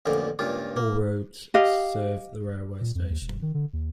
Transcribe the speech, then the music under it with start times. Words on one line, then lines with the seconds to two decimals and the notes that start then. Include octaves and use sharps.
All routes serve the railway station.
0.06 A1 F2 A#2 D3
0.39 C#2 G2 A#2 F4
0.77 A#3
1.54 G4 D#5 F5
2.81 A#2
2.95 F2
3.10 D#2
3.21 E1
3.42 D#3
3.54 D3
3.73 D#2